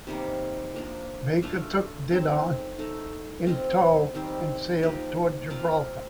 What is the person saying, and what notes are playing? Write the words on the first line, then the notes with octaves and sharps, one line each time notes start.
Baker took "Didon" in tow and sailed towards Gibraltar.
C3 D#3 G3 A#3
F3 A#3 D4
A3 D4 F4 A4
C4 D#4 A4
A3 D#4 A4
C4 F4 C5 D#5
D#3 G3 C4
F3 A#3 D#4 G4
C4 F4 A#4 D5